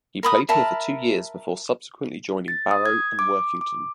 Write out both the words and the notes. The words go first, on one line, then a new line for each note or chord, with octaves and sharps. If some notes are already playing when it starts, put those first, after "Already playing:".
He played here for two years before subsequently joining Barrow and Workington.
A#4 B5 D#6
A#4 E5 A5 B5
A6
D#6
G#6
D6
D6